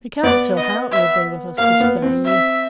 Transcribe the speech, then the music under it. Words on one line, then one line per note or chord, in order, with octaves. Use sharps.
We can't tell how it will be with us this day year.'
B3 D5
D#5
E5
A#3 F5
B3
C4
E5